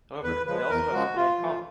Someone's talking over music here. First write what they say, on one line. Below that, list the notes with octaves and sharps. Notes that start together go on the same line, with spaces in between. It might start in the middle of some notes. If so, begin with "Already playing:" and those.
However, they also have something in common.
E2 B4
C#3 F3 G#3 B4
E2 A#4
C#3 F3 G#3 F#4
C3 F4
F3 A3